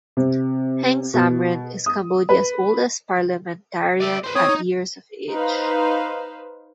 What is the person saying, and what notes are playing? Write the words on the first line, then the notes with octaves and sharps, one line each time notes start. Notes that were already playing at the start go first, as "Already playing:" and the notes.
Heng Samrin is Cambodia's oldest parliamentarian, at years of age.
C3
B2
D#6
B4
D5 E5
B4 C5
C4 C#5 D#6
D#4
D#4 B4 C5 F5